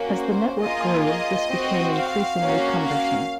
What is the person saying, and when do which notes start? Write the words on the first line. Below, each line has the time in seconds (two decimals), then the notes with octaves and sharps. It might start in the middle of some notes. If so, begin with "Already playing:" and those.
As the network grew, this became increasingly cumbersome.
Already playing: A#3 C#4 F#4
0.17 C5
0.62 A#3 F4 G#4 D#5
1.06 D#5
1.50 C4 F#4
1.95 F5
2.40 A#3 C#4 F#4
2.84 F5